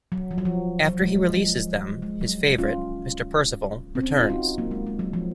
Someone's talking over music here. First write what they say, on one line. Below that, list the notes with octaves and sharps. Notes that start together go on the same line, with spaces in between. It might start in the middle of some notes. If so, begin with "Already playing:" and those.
After he releases them, his favourite, Mr Percival, returns.
F#3
F3
F#3
F3
F#3
G#3
F3
F3
G#3
F#3
C#4 F4
C4
C#4
D#4
F4
D#4 F#4
F#3 A#3
G#3
G#3
F#3
F3